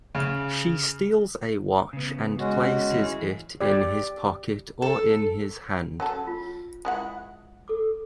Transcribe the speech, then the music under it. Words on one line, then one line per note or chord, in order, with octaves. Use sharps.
She steals a watch and places it in his pocket or in his hand.
C#3
C#3 B3
G#3 C#4 F#4
E3 G#4
G4 D5
A4
F#3 C#4 A4
F4
G#3 E4 F#5
A4 D6